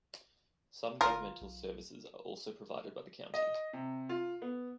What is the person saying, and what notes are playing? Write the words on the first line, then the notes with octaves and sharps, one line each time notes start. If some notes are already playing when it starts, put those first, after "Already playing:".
Some governmental services are also provided by the county.
G1 F4 A#4
B1
D#5
C3
F4
B3